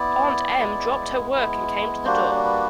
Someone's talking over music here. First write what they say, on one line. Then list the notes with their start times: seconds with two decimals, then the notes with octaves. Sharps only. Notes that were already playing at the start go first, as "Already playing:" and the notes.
Aunt Em dropped her work and came to the door.
Already playing: B3 E4 D5
0.58 G#3 B3 E4
1.31 G#3 B3 E4
2.05 G3 A#3 D4 F#4 C5
2.43 B4